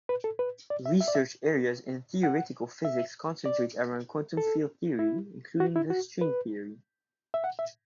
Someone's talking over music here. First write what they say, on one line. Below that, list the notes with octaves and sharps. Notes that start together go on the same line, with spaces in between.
Research areas in theoretical physics concentrate around quantum field theory including the string theory.
B4
A4
B4
D5
E5
E5
D5
E5
F#5
E5
D5
A4
E4
F#4
E4
F#4
B4
E5
F#5
E5